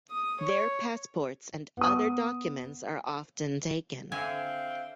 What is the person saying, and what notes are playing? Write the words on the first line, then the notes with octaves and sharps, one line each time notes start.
Their passports and other documents are often taken.
D#6
C#5
B3 D#6
D3 C4 E5 F5 G#5